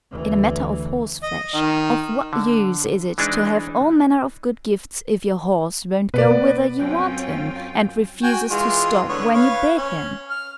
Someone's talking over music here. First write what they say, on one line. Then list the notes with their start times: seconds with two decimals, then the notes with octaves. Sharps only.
In a matter of horseflesh of what use is it to have all manner of good gifts if your horse won't go whither you want him, and refuses to stop when you bid him?
0.12 D2 E3
1.23 D#5
1.54 D#3
2.33 D3
3.18 E3 G#3 D4 D#4
6.14 B2 B4 D5
6.31 B3
6.79 F#2 F#3 C4 C#4 F4 G5
8.23 F#4 G5 G#5
8.51 E3 G#3 F4
9.09 D3 B3 C#5
9.35 B4 C#5 F5
9.77 C#4
10.30 F6